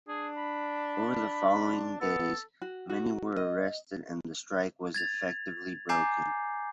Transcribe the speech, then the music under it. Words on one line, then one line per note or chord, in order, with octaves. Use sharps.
Over the following days, many were arrested and the strike was effectively broken.
D4 G#4
B5
B3 A4
F#4
F#4
D#5
G#6 A6 F7
G#5 A#5 D6 G6 C7